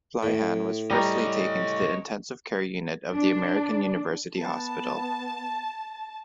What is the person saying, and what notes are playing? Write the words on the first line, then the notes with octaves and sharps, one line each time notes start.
Fleihan was firstly taken to the intensive care unit of the American University Hospital.
A2
G3 C#5 D#5 A#5
D4
B3 A5